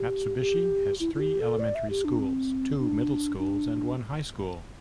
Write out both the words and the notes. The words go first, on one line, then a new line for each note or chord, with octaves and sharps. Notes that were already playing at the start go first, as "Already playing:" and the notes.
Matsubushi has three elementary schools, two middle schools and one high school.
Already playing: G4
G4
E4
E4
G4
A4
D5
E5
G4
D4
C4
D4
D4